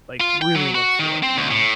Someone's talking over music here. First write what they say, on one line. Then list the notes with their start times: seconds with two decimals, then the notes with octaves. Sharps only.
like, really look for it, you know?
0.20 F4
0.42 G5
0.55 F#3
0.75 F#4
0.99 D#3
1.23 C4
1.38 D2
1.51 A2